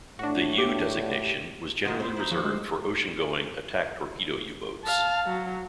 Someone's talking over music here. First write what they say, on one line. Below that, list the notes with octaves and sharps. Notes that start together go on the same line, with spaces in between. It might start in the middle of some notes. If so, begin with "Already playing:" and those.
The "U" designation was generally reserved for ocean-going attack torpedo U-boats.
A2 D4 F#4
G4
D#3 F3 F#4 D#5
B3 C4 C5
D#4 E4
F3 F#4
G#3
F5 A5
F#3